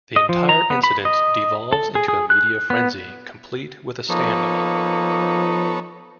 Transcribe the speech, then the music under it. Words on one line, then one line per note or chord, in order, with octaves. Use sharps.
The entire incident devolves into a media frenzy complete with a stand off.
D#5
F3
A#5
B3
B5
D#5
A4
G#4
G#4
F#6
B3
F3 A#3 B3 D#4 A4 C#5